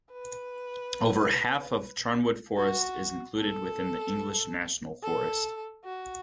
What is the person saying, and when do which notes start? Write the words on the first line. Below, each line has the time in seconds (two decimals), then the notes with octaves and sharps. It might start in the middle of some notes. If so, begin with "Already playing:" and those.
Over half of Charnwood Forest is included within the English National Forest.
0.12 B4
2.57 F#4
3.39 A4
5.03 A4
5.85 F#4